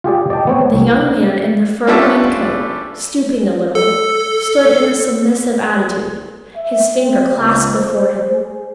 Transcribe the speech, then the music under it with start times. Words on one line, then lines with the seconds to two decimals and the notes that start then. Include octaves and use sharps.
The young man in the fur-lined coat, stooping a little, stood in a submissive attitude, his fingers clasped before him.
0.04 F4 G4 G#4 D5
0.30 D5 D#5 G5 A5
0.47 B3 C4 C#5
0.61 C#5
0.74 C2
1.87 G3 C#4 D4 F4 A4 E5
3.75 A4
6.55 E5
6.97 C4
7.37 C#2
7.76 C5
8.33 G#4